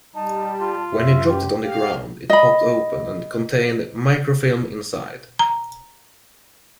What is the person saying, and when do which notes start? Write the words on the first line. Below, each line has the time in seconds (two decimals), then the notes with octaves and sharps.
When he dropped it on the ground, it popped open and contained microfilm inside.
0.15 G3 D#4 A5
0.61 F4
0.92 F#2 E5
1.29 G4
1.63 G4 F5
2.30 D#5 B5
5.39 A#5